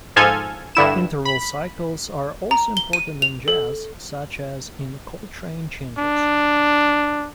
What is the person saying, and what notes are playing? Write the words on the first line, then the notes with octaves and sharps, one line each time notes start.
Interval cycles are also important in jazz, such as in Coltrane changes.
G#2 F3 A4 G#5 F6 G#6
G2 D3 E4 E7
B5
A#5
G7
D#7
F7
A4
D4